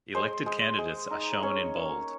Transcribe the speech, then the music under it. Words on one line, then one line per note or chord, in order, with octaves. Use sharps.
Elected candidates are shown in bold.
G#3 C5
G#3
G#3
D#4
C#4 C#5
A#3